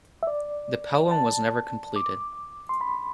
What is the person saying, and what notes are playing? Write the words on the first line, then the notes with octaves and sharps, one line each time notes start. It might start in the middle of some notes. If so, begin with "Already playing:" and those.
The poem was never completed.
E5
D5
A5
D6
C6
B5